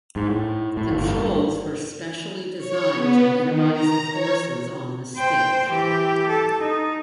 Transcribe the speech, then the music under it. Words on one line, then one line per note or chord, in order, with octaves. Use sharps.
The controls were specially designed to minimize the forces on the stick.
G#2
A2
A2
G1
G2
C#5
B3
D#3
A#5
C#5
C5 G5
E3 G4
A4
D#4